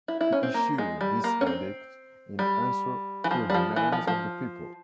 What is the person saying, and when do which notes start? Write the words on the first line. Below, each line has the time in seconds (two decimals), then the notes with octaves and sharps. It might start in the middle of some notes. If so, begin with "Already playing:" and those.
He issued this edict in answer to the demands of the people.
0.08 E4
0.21 E4
0.33 C#4
0.43 C4
0.54 A#3
0.78 G#3
1.01 G3
1.24 A#3
1.41 C#4
1.47 C4
2.39 G3
3.24 E3
3.31 F3
3.50 G3
3.54 F3
3.76 E3
3.92 F3
4.07 F3